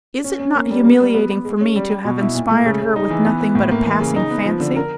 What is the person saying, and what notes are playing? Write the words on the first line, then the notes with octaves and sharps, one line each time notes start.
Is it not humiliating for me to have inspired her with nothing but a passing fancy?
C#4
C#4
A#3
G3
A#3
G3
B3
B3
G#3
C#4
G3
G3
B2
E4
A#2
A3
C#3
C#3
D#4
E3
B3
B3
A2
A#3
E3
C#3
D#4
B3
F3
D3
A#4